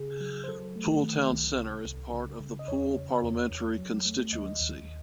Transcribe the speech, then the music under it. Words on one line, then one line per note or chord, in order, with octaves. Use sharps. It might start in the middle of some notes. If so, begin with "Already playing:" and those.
Poole Town Centre is part of the Poole parliamentary constituency.
Already playing: C#3 G#4
F#3
C5
F#3 A4
A3
D#3
C2
C3
C2
C#3
C#3
D#5
E2 C#5
C#3
E2
E2
F#3
A3
D#2 D#5
D#2